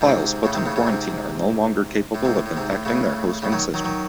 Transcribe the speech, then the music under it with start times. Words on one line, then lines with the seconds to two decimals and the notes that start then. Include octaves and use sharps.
Files put in quarantine are no longer capable of infecting their hosting system.
0.01 G#2 C3
0.44 A2 C#3
0.55 C3 D#3
0.66 A2 C#3
0.76 A2 C#3
0.87 G#2 C3
2.15 A2
2.25 G#2 C3
2.36 A2
2.46 A2
2.57 G#2 C3
2.71 A2
2.85 A2 C#3
3.42 A2 C#3
3.52 D#3 F#3
3.74 D#3 F#3
3.84 D#3 F#3